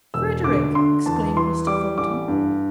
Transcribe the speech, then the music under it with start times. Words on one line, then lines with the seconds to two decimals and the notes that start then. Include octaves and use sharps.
'Frederick!' exclaimed Mr. Thornton.
0.14 E1 E6
0.44 D2 D6
0.75 D3 C6
1.06 E2 A5
1.37 E3 C6
1.67 G3 D6
1.98 A1 D6
2.28 G2